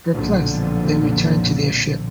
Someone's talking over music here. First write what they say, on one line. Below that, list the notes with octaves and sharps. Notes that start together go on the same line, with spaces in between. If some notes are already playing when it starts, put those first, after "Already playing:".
Perplexed, they return to their ship.
B1 F2 A#2 D3 F3